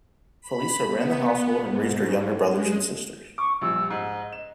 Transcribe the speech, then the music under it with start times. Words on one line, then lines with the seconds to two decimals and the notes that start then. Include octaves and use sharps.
Felisa ran the household and raised her younger brothers and sisters.
0.41 B5
0.88 B3
1.65 G#2
2.45 G#3
3.38 C#6 D6
3.61 A#1 G3 E6
3.90 G#2 D#5
4.32 E7